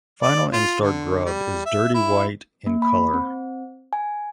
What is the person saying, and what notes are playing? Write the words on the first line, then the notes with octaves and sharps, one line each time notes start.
Final instar grub is dirty white in color.
D5
F4
D3
G3
E5
E4
A#3
B5
C4
G#5